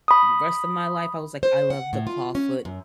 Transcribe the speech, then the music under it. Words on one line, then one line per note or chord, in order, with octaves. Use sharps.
rest of my life, I was like, "I love the clawfoot
B5 D#6
C5
F#5
A2
F4
C#4
F#2